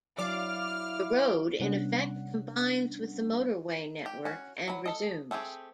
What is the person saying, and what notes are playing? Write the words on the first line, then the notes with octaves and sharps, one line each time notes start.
The road in effect combines with the motorway network and resumes.
F#3 E4 D5 F5 D6 F6
C3 G3 B3 C#4 D4 F#5
G4
C#4 F#4
F#3 B5
A4 D#5
A3 C4 G4 G#4